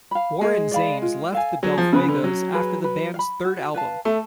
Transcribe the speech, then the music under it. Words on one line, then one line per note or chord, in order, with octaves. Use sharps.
Warren Zanes left the Del Fuegos after the band's third album.
F5 B5
G#3 G#4
D5 F5 B5
F4
A4 F5 G#5
F#3 G#4
F3
C#3 B4 F#5 B5
D3
F#3 C#4
G#4 B4
B4
F5
B5
F#4
B4 F5 A5
A3 A4